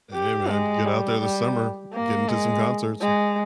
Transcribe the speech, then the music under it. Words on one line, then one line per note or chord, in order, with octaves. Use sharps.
H hey, man, get out there this summer. Get into some concerts.
G4
G#3
G3
G3
A#3
G#3
G#3